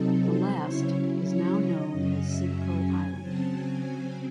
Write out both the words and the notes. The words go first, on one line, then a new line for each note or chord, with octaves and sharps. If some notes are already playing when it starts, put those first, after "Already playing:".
The last is now known as Simcoe Island.
Already playing: C3 F#3 C4 D#4 A4
C5
C#3 F#3 C#4 E4 C#5
C#5
D#5
F#2 C#3 F#3 C#4
E5
G#5
C#3 F#3 C4 A5
G#5